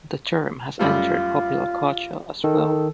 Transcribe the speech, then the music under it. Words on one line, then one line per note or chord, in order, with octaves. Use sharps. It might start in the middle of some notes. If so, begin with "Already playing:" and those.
The term has entered popular culture as well.
F#2 G3 A3 F4
D#3 A4